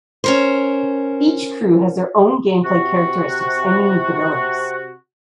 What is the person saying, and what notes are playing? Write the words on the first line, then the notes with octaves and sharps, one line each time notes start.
Each crew has their own gameplay characteristics and unique abilities.
C#4 A#4 C5
C3 F#4